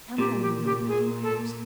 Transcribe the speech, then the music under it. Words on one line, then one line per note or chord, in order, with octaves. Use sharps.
"Tell me all you know about him?" I asked.
A#2 G4
G4
G4
G#4
A4